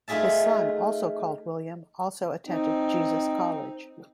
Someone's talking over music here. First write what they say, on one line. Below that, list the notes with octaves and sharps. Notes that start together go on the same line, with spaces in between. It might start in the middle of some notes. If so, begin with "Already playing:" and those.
His son, also called William, also attended Jesus College.
A3 D#4 F4 G#4 E5 A5
C4 D#4